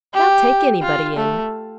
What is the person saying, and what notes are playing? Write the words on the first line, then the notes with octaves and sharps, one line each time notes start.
They'll take anybody in.
G4
F4
A3